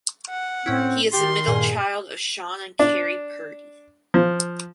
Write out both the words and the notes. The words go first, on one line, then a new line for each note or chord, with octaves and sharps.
He is the middle child of Shawn and Carrie Purdy.
F#5
A2 C4 C#4 E4
D#3 G4 C6 A6
G2 A#2 G#4
D4
F3